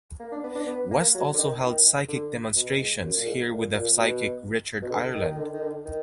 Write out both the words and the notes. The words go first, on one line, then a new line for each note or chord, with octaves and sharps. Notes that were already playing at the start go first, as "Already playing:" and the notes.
West also held psychic demonstrations here with the psychic Richard Ireland.
A#3
D4
B3
D4
B3
A#3
F#3
D3
D#3
D#3
D3
B2
G#2
F#2
A#2
G#2
A#2
A#2
B2
B2
D3
D#3
D#3
D3
D#3
D3
D#3